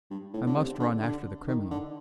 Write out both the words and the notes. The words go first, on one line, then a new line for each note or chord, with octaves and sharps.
I must run after the criminal.
G2
A2
D3
C3
D3
D3
D#3
D3